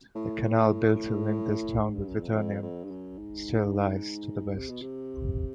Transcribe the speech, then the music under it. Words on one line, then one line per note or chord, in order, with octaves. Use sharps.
The canal built to link this town with Vedaranyam still lies to the west.
A2
G#2
G2
F#2
E2
F2
F2
F2
G2
F#2
G#2
C3
B2
C3